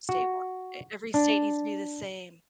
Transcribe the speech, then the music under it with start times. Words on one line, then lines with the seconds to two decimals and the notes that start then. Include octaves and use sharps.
Statewi eh every state needs to be the same.
0.09 F#4
1.14 D4